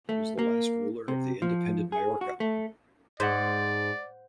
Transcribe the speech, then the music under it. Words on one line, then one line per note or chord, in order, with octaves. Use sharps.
He was the last ruler of independent Majorca.
A3
A#3
C3
F3
G#4
F#4
A3
G#2 C5 D5 F#5